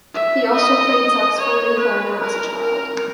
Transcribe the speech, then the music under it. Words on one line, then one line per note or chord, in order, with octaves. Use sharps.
He also played saxophone and clarinet as a child.
E5
D#5
C#5
B4
A#4
A#4